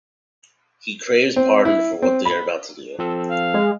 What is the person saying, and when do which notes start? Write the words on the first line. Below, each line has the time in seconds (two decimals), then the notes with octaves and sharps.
He craves pardon for what they are about to do.
1.36 C4
1.65 E4
2.02 C4
2.25 B5
2.99 F3 C4 A4
3.31 F5
3.54 G#3